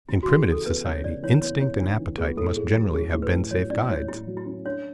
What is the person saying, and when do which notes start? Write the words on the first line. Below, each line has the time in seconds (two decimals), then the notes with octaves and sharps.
In primitive society instinct and appetite must generally have been safe guides.
0.09 C#3 E4
0.23 F#4
0.28 C#3
0.37 G#4
0.48 E3 A4
0.66 B3 B4
0.84 C#3 C#5
1.04 C#3 D5
1.22 E3 C#5
1.42 B3 C#5
1.61 C#3 C#5
1.80 C#3 D4
1.99 E3
2.18 B3 G#4
2.37 A2 A4
2.56 A2 G#4
2.76 F#3 E4
2.94 C#4 G#4
3.13 A2
3.22 B4
3.32 A2
3.51 F#3 C#5
3.70 C#4 D5
3.89 A2 C#5
4.08 A2 E4
4.27 F#3
4.37 E4
4.46 C#4
4.65 D4 C#5